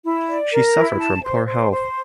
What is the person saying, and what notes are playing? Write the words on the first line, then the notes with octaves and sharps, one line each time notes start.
She suffered from poor health.
E4
D5
A#4
E4
A5
C5
C5
C5